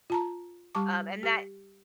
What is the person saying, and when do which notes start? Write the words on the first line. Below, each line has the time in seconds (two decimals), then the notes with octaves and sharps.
um and that
0.10 F4 A5 A#5
0.75 G3 G4 A5 C#6 D6
1.23 G4